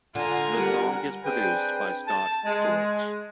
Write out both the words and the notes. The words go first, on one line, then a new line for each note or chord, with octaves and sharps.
The song is produced by Scott Storch.
D3 F4 G#5 A#5
G3 A#4 F#5
C4 D4 G#4 B4 G5
A5
G#3